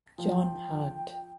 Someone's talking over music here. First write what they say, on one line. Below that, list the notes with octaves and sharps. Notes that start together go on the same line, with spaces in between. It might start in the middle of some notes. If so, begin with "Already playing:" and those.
John Hand.
F3 G5